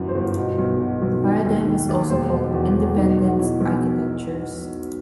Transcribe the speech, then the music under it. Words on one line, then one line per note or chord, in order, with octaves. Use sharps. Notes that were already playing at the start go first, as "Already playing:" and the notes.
This paradigm is also called "Independence" architectures.
Already playing: G1 F#2 E3 F#5
C5
G1
B2
B1
B2
B1
D#3
D#2
D#3
D#2
E1 C5
B2
E2
E1
B2 D#4
B1
F#4
B2 E4
B1